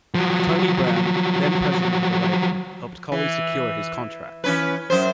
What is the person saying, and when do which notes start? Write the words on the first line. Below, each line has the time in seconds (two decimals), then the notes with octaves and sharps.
Tony Brown, then-president of the label, helped Collie secure his contract.
0.15 F3 F#3
3.12 E3
4.44 E3 C#4 B4
4.90 F#2 C5